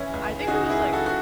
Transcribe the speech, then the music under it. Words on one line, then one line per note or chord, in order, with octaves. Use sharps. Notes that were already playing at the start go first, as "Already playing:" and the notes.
I think it was like
Already playing: E3 C#4 E4
C#2
G#4
C#3 D#4 F#4
E4 G#4
C#2
F#4 A4
F#4